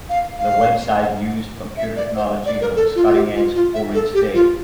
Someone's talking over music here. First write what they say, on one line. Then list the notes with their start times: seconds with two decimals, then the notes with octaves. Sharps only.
The website used computer technology that was cutting edge for its day.
0.09 F5
0.39 F5
1.77 E5
1.96 D5
2.16 C5
2.46 D5
2.61 A#4
2.76 A4
2.95 F4
3.07 F4
3.15 G4
3.35 F4
3.54 F4
3.74 E5
3.94 A4
4.14 G4
4.34 F4